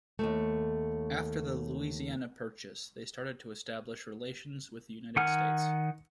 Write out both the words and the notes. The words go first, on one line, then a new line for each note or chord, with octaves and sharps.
After the Louisiana Purchase, they started to establish relations with the United States.
D#2 G#2 A3
D#3 F#5 G#5 F6